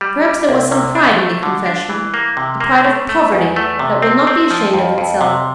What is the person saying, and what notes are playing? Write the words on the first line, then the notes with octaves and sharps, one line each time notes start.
Perhaps there was some pride in the confession,-- the pride of poverty that will not be ashamed of itself.
G3
G3
C2
C3
D4
A3
D3
D4
E3
A#3
C3
A#3
A3
A3
E2
A3
C3
C4
C4
F3
F2
F2
C3